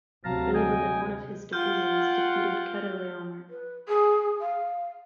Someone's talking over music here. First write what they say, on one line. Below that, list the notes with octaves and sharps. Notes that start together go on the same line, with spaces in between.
Abram and one of his divisions defeated Chedorlaomer.
D2 C3 F#3 F5 A5 A#5
D#5 G5 G#5
F4 F#5 G5 F6 G6
B4
G#4
F5